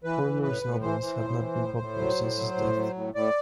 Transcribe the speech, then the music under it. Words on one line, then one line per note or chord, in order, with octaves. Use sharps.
Horler's novels have not been popular since his death.
E3 B4
E3
A2 B4
A2
E3 C5
E3
A2
E3
A2
A2
F#3
A2
F#3
A2
F#3
A2
A2 D5